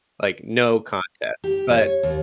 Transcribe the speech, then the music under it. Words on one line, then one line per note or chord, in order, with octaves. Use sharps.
Like, no contest. But
G4
C#5
D#2